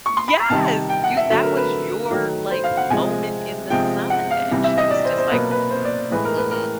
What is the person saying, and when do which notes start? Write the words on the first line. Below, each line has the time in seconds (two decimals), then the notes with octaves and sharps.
Yes! "You that was your, like, moment in the sun," and she was just, like, "Mm, mm-mm."
0.06 C#6
0.17 C6
0.28 B5
0.39 A#5
0.50 C3 D#3 G3 A5
0.89 G5
1.04 F#5
1.17 E5
1.30 D3 F#3 A3 E5
1.43 A#4
1.57 B4
2.11 D#3 F#3 A3
2.51 C5
2.64 F5
2.77 F#5
2.90 C3 F3 G#3 G#5
3.70 C3 F3 G#3 G5
4.10 F#5
4.31 F5
4.51 C3 E3 G3
4.64 E5
4.77 D#5
4.90 D5
5.05 C5
5.18 C5
5.31 B2 F#3 A#3 B4
5.51 B4
5.71 C5
5.85 D5
6.11 A2 E3 G#3 B4
6.25 A#4
6.37 B4
6.51 A#4